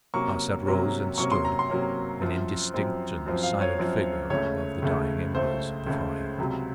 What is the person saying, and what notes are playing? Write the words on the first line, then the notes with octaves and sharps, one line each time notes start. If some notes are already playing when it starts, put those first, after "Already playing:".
Arsat rose and stood, an indistinct and silent figure above the dying embers of the fire.
C3 F#3 A#3 C#4 C#6
C3 F#3 A#3 C#4
C3 F#3 A#3 C#4 C#6
C6
A#5
C6
C3 F#3 A#3 C#4
F#2 F3 C4
F#2 F3 C4
F#2 F3 C4
F5
C#5
F#2 F3 C4
C#2 C#3 A3 C#5
C#2 C#3 A3
C#2 C#3 A3 C5
C#2 C#3 A3
C#2 C3 F#3